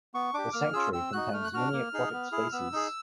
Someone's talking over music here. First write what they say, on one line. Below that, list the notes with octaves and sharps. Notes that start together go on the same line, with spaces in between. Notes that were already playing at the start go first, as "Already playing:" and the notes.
The sanctuary contains many aquatic species.
B3 C#6
D4 G4 D6
A#3 F6
C#4 F4 G#4 E6
C4 E6
D#4 F#4 F#6
A3 F6
F#6
D4 F#4 F6
A#3
D#4 G#4
B3
E4 G#4
B3 E6
D#4 G#4